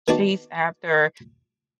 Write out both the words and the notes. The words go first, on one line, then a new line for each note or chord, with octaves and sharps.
chased after,
D#3 B3 D4 D#4 F#4 D5